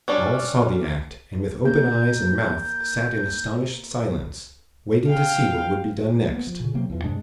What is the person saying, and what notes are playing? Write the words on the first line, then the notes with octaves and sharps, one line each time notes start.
All saw the act, and with open eyes and mouth sat in astonished silence, waiting to see what would be done next.
G3 C#4 D4
A#3 G6
F5 G5
A#3 B3
F3
A#2 C#3
C3 F#3 A#3 C4
E2 E3 F3
G2 C3 G#3 D4